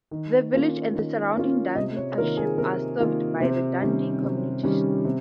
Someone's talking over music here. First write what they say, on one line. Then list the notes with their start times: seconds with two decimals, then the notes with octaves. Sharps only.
The village and the surrounding Dundee Township are served by Dundee Community Schools.
0.11 D#3
0.53 A#3 C#4 F4
0.94 D#3
1.35 A#3 C#4 F4
1.75 C3 D#5
1.97 C#5
2.18 D#3 A#3 F4 A#4
2.37 G#4
2.58 C3 A#4
3.00 D#3 A#3 F4
3.40 C3 C5
3.81 D#3 G3 C#4
4.22 C3
4.63 D#3 G3 C#4
5.05 C3